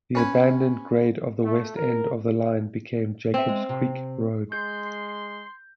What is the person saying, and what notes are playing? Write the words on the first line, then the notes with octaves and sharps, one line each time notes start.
The abandoned grade of the west end of the line became Jacobs Creek Road.
C#4 B4 G#5
A3
A#4
B3 C4 E5
G#3
C3
G#3 C6 G6